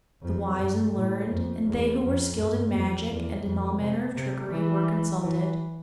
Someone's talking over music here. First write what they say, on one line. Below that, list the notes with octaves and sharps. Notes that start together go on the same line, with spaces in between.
The wise and learned, and they who were skilled in magic and in all manner of trickery, were consulted.
F2
G2
A2
F2
E2
F2
G2
F2
E2
F2
C3
C3
E3
E3